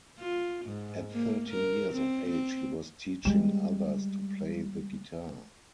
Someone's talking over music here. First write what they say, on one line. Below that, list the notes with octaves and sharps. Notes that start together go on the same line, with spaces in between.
At thirteen years of age he was teaching others to play the guitar.
F4
G#2
A#3
A#4
C4
C4
G3 G#3